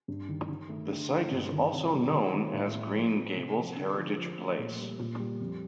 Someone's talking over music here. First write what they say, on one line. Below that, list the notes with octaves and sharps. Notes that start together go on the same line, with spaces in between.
The site is also known as Green Gables Heritage Place.
G2
D#3
D#3
A3
D3
A3
G2
D#3
C3
G3
D#3
A3
A2
A3
F3
C4
C3
F3
D3
F3
F3
A3
A#2
G3
A#2
G3
F2